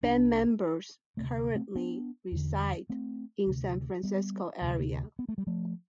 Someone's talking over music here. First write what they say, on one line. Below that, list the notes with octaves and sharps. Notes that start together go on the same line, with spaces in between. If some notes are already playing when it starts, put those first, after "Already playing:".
Band members currently reside in San Francisco area.
C2 C3 B3 D4
D2 C3 A3 C4
A3 C4
B3 D4
E2 D3
A3 C4
D2 C3
G3 B3
D2 C3
B3
A3
G3
F3 A3